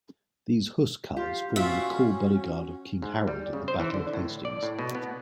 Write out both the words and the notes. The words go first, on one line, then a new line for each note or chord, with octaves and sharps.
These huscarls formed the core bodyguard of King Harold at the Battle of Hastings.
F4 G4
C#4 F4 F#4 E5
G#2
G3
C#3
C5
E3
D3
A2
D5
A2
B2
B3